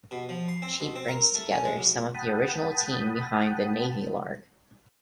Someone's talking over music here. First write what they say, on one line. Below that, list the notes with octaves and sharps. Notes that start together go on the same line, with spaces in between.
She brings together some of the original team behind "The Navy Lark".
B2
F3
C6
C4
B2
C4
A#4
A3
C#4
G#3
B1
F#5 G5 A5 B5 D#6